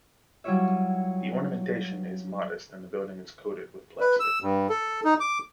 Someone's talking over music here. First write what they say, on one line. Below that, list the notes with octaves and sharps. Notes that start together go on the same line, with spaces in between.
The ornamentation is modest and the building is coated with plaster.
F#3 G3 E4 F4 C#5 E5
B4
E6
G2
A4
D#4
D6